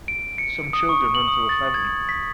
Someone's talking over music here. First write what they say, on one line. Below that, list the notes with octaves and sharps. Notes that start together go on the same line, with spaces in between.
Some children run through a fountain.
D7
C#7
D#6
C#6
F#7
D#6
A6
G#6
B6